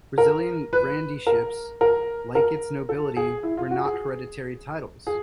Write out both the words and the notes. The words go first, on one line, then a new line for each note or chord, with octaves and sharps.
Brazilian grandeeships, like its nobility, were not hereditary titles.
A#4
B4
A#4
A#4
A#4
A4
G#4
E4
F4
F#4
G#4
G#4